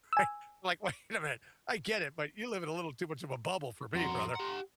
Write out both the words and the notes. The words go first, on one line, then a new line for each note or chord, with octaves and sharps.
right like, wait a minute, I get it, but you live in a little too much of a bubble for me, brother,
G#5 E6
F2 F#4 A#5 C6
G4 F#5